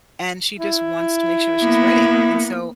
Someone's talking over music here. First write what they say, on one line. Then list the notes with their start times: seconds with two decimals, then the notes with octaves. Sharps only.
and she just wants to make sure that she's ready, and so
0.59 E4
1.60 A#3 B3